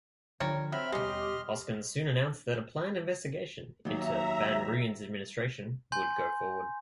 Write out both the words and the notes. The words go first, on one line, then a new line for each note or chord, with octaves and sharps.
Hoskins soon announced that a planned investigation into van Rooyen's administration would go forward.
D3 F3 G3 A#4 C#5
F#3 C4 E5 B5 F6
B2 G3 G#3 C#4 G4 D#5 C6 F6
D#2 F#3 E5 A#5
G#5 C6 G6